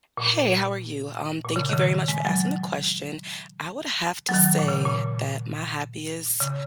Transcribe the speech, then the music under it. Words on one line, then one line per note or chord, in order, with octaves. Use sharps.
Hey, how are you? Um, thank you very much for asking the question. I would have to say that my happiest
A#2
A#2
C#3
D#3
C#3
G#3
F#3
F#3
D#3
A#2
C#3
A#2
C#3